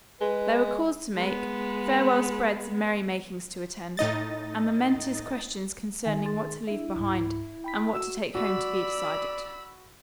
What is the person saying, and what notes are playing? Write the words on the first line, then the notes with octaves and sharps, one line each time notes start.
There were calls to make, farewell spreads and merry-makings to attend, and momentous questions concerning what to leave behind and what to take home to be decided.
G#3 B4
G#3 B3
A2 D#4 D#5 A6
D#3 G#5
G#4 C6 A6
D4 E4 E5
C#2 G#2
G5 B5 B6
F#4 E6
F#4 D5 B5 E6